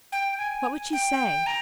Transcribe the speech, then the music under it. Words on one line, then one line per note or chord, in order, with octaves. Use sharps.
What would she say?
G5
G#5
G5
A#5